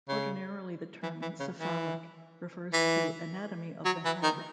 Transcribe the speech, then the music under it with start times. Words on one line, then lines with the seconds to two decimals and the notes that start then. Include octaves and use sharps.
Ordinarily the term "cephalic" refers to anatomy of the head.
0.09 C#3
1.03 E3
1.22 E3
1.40 C#3
1.60 E3
2.73 E3
3.85 F#3
4.05 E3
4.23 D#3